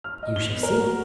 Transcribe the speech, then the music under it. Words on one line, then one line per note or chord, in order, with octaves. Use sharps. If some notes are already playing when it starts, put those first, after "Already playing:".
"You shall see."
F6
D#5
G7
B3
A#4
F#4